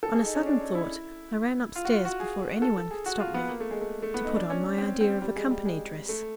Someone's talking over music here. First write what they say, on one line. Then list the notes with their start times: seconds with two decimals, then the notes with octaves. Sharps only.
On a sudden thought I ran upstairs before any one could stop me, to put on my idea of a company dress.
0.03 A4
0.14 G#4
0.25 D#4
0.35 C#4
0.46 D4
0.61 D#4
0.75 E4
1.76 F4
1.85 F#4
1.91 F4
2.05 F#4
2.20 G#4
2.62 A4
2.77 A4
2.91 G#4
3.06 F#4
3.20 F4
3.34 B3
3.49 A#3
3.60 A3
3.71 G#3
3.81 A3
4.02 A3
4.14 B3
4.25 D#4
4.36 D4
4.50 C#4
4.78 C4
5.01 C4
5.22 G3
5.36 G#3
5.51 G3
5.65 G#3
6.09 A3